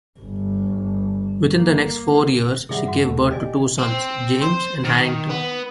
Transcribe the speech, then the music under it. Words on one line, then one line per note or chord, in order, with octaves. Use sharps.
Within the next four years she gave birth to two sons, James and Harrington.
G1
A#3
C3 D#3 G3 G#4 E5 F#5
G2 F#4 F#5
D#2 A3
G4 D5 D#5 G#5
C4
C5
D#3
B3